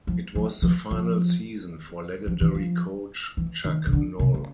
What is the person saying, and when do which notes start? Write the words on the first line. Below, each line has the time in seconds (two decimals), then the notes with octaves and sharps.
It was the final season for legendary coach Chuck Noll.
0.07 F3
0.35 F3
0.62 F3
0.91 F3
2.27 F3
2.41 E3
2.55 F3
3.37 E3
3.65 D#3
3.87 C#3
3.93 D3
4.19 C3
4.34 C#3